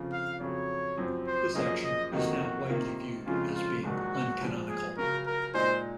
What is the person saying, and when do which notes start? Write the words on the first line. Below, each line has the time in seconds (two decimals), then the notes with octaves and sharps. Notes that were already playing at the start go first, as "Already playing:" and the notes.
This action is now widely viewed as being uncanonical.
Already playing: F2 C#3 F3
0.12 F5
0.41 F2 C#3 F#3 C#5
0.98 F#2 F3 C4
1.27 C5
1.55 F#2 F3 A#3 C#4 G#4 D#5
1.83 D#5
2.12 F2 D#3 F#3 A#3 D#4 F#4
2.70 C3 D#3 A#3 F4
3.26 F2 C#3 F3 G#3 C#4 F4
3.55 F4
3.83 A#1 G#2 D#3 F#3 F#4
4.40 A#1 G#2 F3
4.69 G#4
4.97 C#3 F#3 C#4 A#4
5.26 A#4
5.54 A#2 G#3 D#4 C5